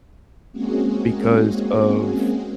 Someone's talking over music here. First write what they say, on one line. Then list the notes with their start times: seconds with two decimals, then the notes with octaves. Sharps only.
because of,
0.52 G#3 A#3 C4 C#4 F#4 G#4